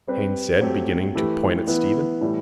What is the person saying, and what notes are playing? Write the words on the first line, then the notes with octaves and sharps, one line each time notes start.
Haines said, beginning to point at Stephen.
G3 C4 G4 B4
F#3 A3 C4 G4
E3 A3 E4 G4 B4
E3 B3 E4 B4
A2 E3 G3